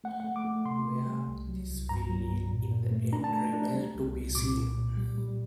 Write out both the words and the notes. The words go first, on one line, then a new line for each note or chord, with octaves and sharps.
Where this will lead in the end remains to be seen.
A3 F#5
F#5
A3
D6
A3
C3 C6
C3
G3
C2
F#3
C2
G2 A#5
F#3
G2
A#2
A#2
A3
D4 A#5
A5
A3 A#5
D4
G3
C2
C2
A#2 D6
A#2
A#2
G3
G3